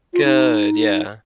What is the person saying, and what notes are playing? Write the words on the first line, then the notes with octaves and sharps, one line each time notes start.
Good, yeah.
F4
D#4